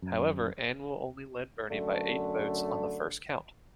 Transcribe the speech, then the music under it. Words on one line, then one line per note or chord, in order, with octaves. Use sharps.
However, Anwyl only led Birney by eight votes on the first count.
F#2
F#2 D3 A3